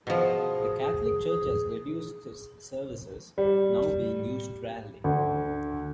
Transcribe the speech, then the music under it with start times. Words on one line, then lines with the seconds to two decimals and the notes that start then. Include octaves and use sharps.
The Catholic church has reduced its services, now being used rarely.
0.07 B2 F3 G#4
3.38 G3
5.04 D2